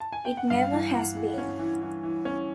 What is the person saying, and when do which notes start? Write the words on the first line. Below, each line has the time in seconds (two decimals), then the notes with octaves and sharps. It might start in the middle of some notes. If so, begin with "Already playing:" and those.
It never has been.
0.00 A5
0.12 G#5
0.25 G5
0.37 F#5
0.50 G2 F5
0.72 E3
0.94 E3 F#5
1.16 E3
1.38 C#4
1.59 E3
1.82 E3
2.03 E3
2.25 C#4